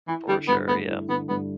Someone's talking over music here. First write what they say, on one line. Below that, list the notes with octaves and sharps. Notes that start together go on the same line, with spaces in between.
For sure, yeah.
E3 E4
D3 G3
G2 B3
A3 B3
E4
D3 B3
G2 B3